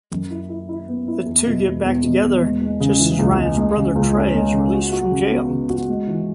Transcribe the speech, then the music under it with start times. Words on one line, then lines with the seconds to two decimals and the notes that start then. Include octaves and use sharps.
The two get back together, just as Ryan's brother Trey is released from jail.
0.12 F#2
0.30 E4
0.49 E4
0.69 E4
0.88 B3
1.08 E4
1.26 E2
1.46 B2
1.65 E1
1.85 E2
2.04 B2
2.23 E1
2.42 G#3
2.62 G#3
2.80 C#3
2.99 E3
3.19 C#2
3.38 G#3
3.57 G#3
3.76 C#3
3.96 C#2
4.15 C#4
4.34 G#3
4.53 C#3
4.73 F#4
4.92 F#4
5.11 C#3
5.30 B3
5.49 C#3
5.70 F#4
5.89 G#3
6.07 E3